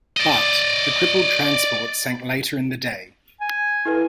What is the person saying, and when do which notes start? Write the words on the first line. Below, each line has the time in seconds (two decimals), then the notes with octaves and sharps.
But, the crippled transport sank later in the day.
0.17 D5 D#5
3.41 G#5
3.85 E4 A4 B4